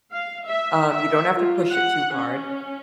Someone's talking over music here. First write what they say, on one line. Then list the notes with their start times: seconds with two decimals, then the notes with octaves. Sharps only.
Um, you don't have to push it too hard.
0.11 F5
0.45 E5
0.90 E5
1.36 F4
1.72 F#5
2.15 C#4